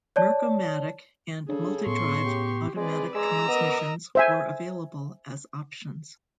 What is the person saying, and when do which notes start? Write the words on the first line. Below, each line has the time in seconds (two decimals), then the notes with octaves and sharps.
Merc-O-Matic and Multi-Drive automatic transmissions were available as options.
0.16 C#5 D5 A5
1.49 C#3 D4 G#4 A4
1.86 A2 B3 C6 C#6
2.25 G4
2.76 G#3 C4 G#4 B4 D5
3.15 G#3 A#5 D6 E6
3.48 B3 A#4 D#5
4.15 C5 E5 G#5